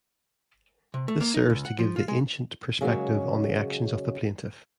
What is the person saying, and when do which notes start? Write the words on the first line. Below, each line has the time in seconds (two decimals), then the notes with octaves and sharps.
This serves to give the "ancient" perspective on the actions of the plaintiff.
0.94 C3
1.08 A3
1.21 A#3
1.34 D#4
1.50 C#2
1.65 F#5
1.79 F3
1.96 F4
2.08 G#3
2.81 C#3 F#3 G#3 A#3 C#4 F#4